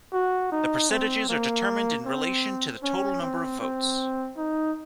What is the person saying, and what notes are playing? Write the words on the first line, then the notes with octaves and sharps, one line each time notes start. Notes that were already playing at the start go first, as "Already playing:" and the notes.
The percentages are determined in relation to the total number of votes.
F#4
D#4
C4
A#3
C4
C#4
C4
C4
D#4